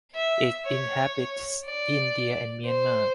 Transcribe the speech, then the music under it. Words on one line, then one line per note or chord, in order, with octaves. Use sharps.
It inhabits India and Myanmar.
E5
C#5
D5
C5